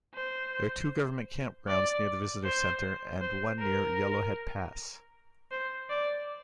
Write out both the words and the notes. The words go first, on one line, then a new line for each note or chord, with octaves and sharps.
There are two government campgrounds near the Visitor Centre and one near Yellowhead Pass.
C5
D5
C5
C5
A#4
C5
D5